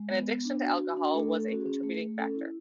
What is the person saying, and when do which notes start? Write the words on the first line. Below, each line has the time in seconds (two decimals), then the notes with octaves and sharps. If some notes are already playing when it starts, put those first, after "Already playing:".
An addiction to alcohol was a contributing factor.
Already playing: G#3
0.10 B3
0.28 B3
0.45 D4
0.62 F#4
0.79 F#4
0.97 D4
1.14 A3 A4
1.31 A3
1.37 A4
1.49 C#4 F#4
1.60 G#4
1.66 C#4
1.83 A3 G#4
2.01 A3
2.18 C#4 A4
2.35 E4